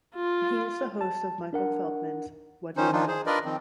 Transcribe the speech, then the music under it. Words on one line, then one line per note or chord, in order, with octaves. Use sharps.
He is the host of Michael Feldman's Whad'Ya Know?
F4
A5
D4 A#4 F#5
D#3 C#4 D#4 C5
D#3 F3 D4 D#4 F4
G#4 C5
D4 F4 A#4 B4 D5 D#5
D#3 F3 C4